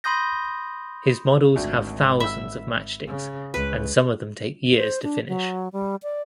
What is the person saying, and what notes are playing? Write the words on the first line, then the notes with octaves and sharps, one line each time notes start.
His models have thousands of matchsticks and some of them take years to finish.
B5 C6 D#6 G6 A#6
G#1 D2
E5 B5 E6
C#3
C#2 B4
C5
D4
F#3
G3
D5